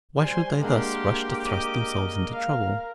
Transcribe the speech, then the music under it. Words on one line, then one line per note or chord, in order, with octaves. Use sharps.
Why should they thus rush to thrust themselves into trouble?
G3 C5 G#5 C6
G#3 A#3 D4 G4 A#4 F#5 C6
D#5 D6
F5